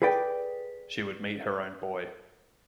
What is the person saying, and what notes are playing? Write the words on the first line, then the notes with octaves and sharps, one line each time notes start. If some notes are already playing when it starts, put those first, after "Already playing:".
She would meet her own boy.
G#4 A4 B4 D5 G5